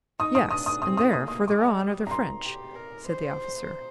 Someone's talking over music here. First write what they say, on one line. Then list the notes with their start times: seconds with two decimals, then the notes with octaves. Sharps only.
"Yes, and there, further on, are the French," said the officer.
0.19 D#4 D#6
0.35 D#6
0.51 D4 D#6
0.66 D#6
0.82 C4 D#6
0.97 D#6
1.13 A#3 D#6
1.28 D#6
1.48 G#3 D6
1.80 G3
2.07 A#5
2.11 C6
2.43 G4
2.75 A#4
3.07 C5